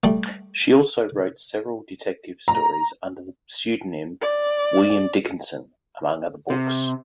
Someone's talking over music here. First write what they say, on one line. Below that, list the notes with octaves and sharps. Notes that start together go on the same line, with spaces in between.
She also wrote several detective stories under the pseudonym "William Dickinson", among other books.
G3 A3
A#5
D5
C3